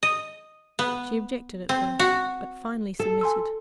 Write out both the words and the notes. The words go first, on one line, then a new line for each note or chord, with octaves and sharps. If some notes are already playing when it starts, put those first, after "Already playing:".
She objected at first, but finally submitted.
D#5
B3
C4
F#4
A4
G#5 C6 E6